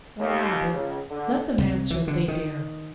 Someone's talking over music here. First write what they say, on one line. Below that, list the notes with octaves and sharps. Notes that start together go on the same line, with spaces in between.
Or, rather, let them answer if they dare.
D#2
C#2
D3
C2
E3
D3
D#3